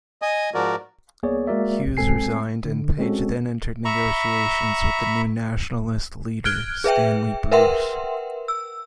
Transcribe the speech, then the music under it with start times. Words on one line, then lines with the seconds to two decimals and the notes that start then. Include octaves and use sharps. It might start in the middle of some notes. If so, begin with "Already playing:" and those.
Hughes resigned, and Page then entered negotiations with the new Nationalist leader, Stanley Bruce.
0.22 D#5 G#5 D#6
0.54 G#2 F3 F#4 A#4 D5
1.23 C2 A#3 B3 G#4 C#5 D5
1.47 G#3 A#3 F#4 A#4 D5 E5
1.97 G#3 C4 A4 G#5 C7
2.64 D3
2.98 G#3 C4 C#4 F#4 A4
3.85 E5 A#5 B5 C#6
6.45 F6 F#6 G#6 D7 G7
6.84 G#4 B4 E5 G5
7.51 A#4 B4 E5 F#5 G5 C6
8.48 E6